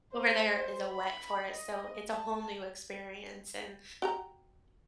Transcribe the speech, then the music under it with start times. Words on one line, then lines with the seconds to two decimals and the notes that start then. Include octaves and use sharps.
over there is a wet forest, so it's a whole new experience and
0.12 C5
0.47 C5
0.92 B5
1.50 D#5
2.10 A5
4.02 F#4 G4 A#5